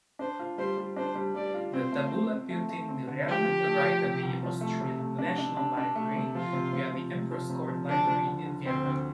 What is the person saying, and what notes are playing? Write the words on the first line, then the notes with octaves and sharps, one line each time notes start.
The "Tabula Peutingeriana" arrived at the Austrian National Library via the Emperor's Court Library in Vienna.
D4 C5
F4
G3 C5
G3
D4 C5
G3
G3 D5
F4
C4 C5
A3
C4
C4
A3
A3
C4
D3
F3 G4
F3
A3
F3
C3
C2
F3
A3
C3
A3
D4
D4
D4
D4
A3
C3
F3 F4
C3
C3
F3
C3
F3
C3
F3
D2 D4
F3
D3
D3
D2 C4
D2